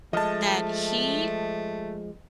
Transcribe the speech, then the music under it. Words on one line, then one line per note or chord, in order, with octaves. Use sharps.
that he,
F3 G#3 A3 D#5 A5